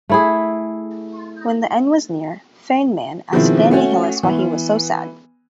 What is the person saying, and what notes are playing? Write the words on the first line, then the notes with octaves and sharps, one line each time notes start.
When the end was near, Feynman asked Danny Hillis why he was so sad.
A3 E4 G#4
B2 D#3 F3 G#3 C4 E4
A3 C#4 F#4
E3 B3